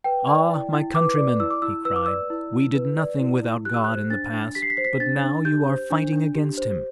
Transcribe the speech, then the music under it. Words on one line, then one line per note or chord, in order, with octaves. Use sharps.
'Ah, my countrymen,' he cried, 'we did nothing without God in the past, but now you are fighting against Him.
B4 G5
D5
E4
E4
B4 D6
D5
E4 E6
D6
E4 E6
B4 E6
D6
D5 E6
E4
E4
B4
D5
E4
E4
G4 F#6
E6
C5 F#6
D4 A6
D4
G4 B6
C7
B6
C5 C7
B6
D4 A6
D4
G4 G6
C5
D4
D4
G4
C5